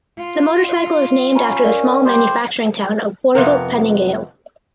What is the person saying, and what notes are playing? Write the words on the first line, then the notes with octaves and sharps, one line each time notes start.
The motorcycle is named after the small manufacturing town of Borgo Panigale.
F4
C#4 A#5 B5
A#4 D5 F5
G3 G4 C5
F2 C3 B3 A#4